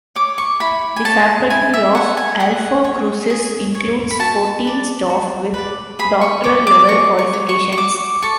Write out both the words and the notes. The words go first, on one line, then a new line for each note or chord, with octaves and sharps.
The faculty of Alphacrucis includes fourteen staff with doctoral level qualifications.
C#5 D6
C#6
E4 B5
G#5
A4 C#5 A5
E4 G#5
E5
A4 C#5 F#5
G#5
G#4 F#5
C#5
G#4
C#5
B5
F#4 A5
B4 D5
F#4
B4 D5
G#4 B5
C#6
C#5 D6
D6
G#4 C#6
C#6
C#5
C#6
C#6
F#4 D6
A4 C#6